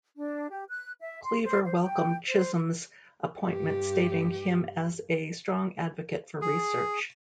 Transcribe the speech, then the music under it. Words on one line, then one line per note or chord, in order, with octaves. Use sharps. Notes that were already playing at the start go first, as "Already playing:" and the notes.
Cleaver welcomed Chisholm's appointment stating him as a strong advocate for research.
D4
G4
F#6
E5
C6
C5
C5
G5
C5
G2 G4
G#4